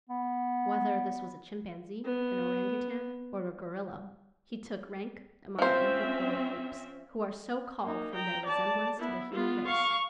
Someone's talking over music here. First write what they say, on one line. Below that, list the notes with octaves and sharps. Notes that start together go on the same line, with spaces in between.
Whether this was a chimpanzee, an orangoutang, or a gorilla, he took rank among the anthropoid apes, who are so called from their resemblance to the human race.
B3
B3
F3 C4 C#4 C5 E5
A#3 D#4
G5 A#5
D5 A5
B3 E4
B3 F4
F5 C#6